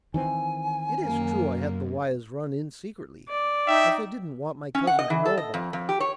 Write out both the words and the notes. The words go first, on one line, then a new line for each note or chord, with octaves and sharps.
It is true I had the wires run in secretly, as I didn't want my cousin to know about them.
D#3 E3 C4 G#5
F#2 A#3
D5
D#4 E5 G5
C#4
F#5
D#5
E3
A4
D#5
F2
F2
G4
C#5